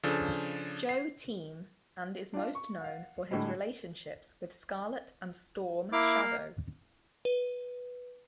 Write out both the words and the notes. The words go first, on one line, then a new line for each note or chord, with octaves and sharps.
Joe Team, and is most known for his relationships with Scarlett and Storm Shadow.
C#3 F3 D4 A4
C7
D4 F4
C#6
F5 F#5
A2 D3 G3 G#3
A#3 E4 D6
B4